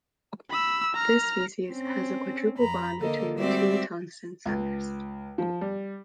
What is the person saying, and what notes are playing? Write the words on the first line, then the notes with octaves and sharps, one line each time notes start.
This species has a quadruple bond between the two tungsten centers.
B5 E6
A#5 F6
C4 C#4
F2 A#5 B5
D3 A#3 A4 A#4 D#5
G3 G#3 C4 F#4 D5 E5
C#2
F3
G3